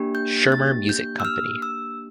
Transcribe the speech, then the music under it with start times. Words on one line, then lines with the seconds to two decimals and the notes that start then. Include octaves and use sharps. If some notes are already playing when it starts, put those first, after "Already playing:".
Schirmer Music Company.
Already playing: A#3 D4 G4
0.15 G6
0.52 A6
0.89 G6
1.20 E6
1.25 F6
1.62 E6